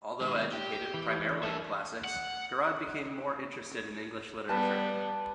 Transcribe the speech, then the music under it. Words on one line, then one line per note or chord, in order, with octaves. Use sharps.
Although educated primarily in classics, Garrod became more interested in English literature.
B2 D#3 G#3
G4
E3
A4 A#4 E5
F#5
G3 B3 B4 A5